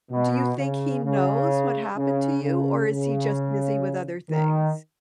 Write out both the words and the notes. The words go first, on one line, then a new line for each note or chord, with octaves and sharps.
do you think he knows what happened to you, or is he just busy with other things?
B2
C#3
C#3
C#3
C#3
C#3
D#3